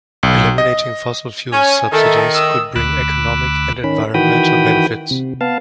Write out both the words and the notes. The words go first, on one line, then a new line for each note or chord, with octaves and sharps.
Eliminating fossil-fuel subsidies could bring economic and environmental benefits.
B1
D#5
C#4 G#5
D#3 A4 E5
D#6 E6
D2 B5 D6 E6 F#6
D#3 C#4 B5
D#3 E3 F#4 G5 B5 D#6
C3
B3 F5 A5